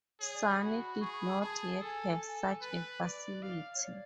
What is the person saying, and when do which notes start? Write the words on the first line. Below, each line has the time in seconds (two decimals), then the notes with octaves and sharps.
Sony did not yet have such a facility.
0.20 G#4 C#5
0.33 D5
0.47 B5
0.60 F#4 B5
1.01 G#4 C#6
1.12 C#6
1.21 B5
1.34 B5
1.41 G#4 A5
1.73 A5
1.81 A4 G#5
2.62 B4
3.03 D5
3.42 F5
3.75 C#5
3.83 D5